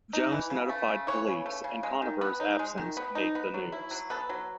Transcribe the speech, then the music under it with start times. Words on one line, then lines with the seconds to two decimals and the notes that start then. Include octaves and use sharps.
Jones notified police, and Conover's absence made the news.
0.13 D#4
0.32 E3
0.50 C#3
0.69 A3
0.88 C#3
1.07 E3 C#5
1.27 C#3
1.46 A3
1.64 C#3
1.83 G#3
2.02 D#3
2.21 B3
2.40 D#4
2.59 G#3
2.78 D#3
2.97 B3
3.15 D#4
3.35 B3
3.54 F#3
3.72 E4
3.91 F#3
4.10 B3 A4
4.29 F#3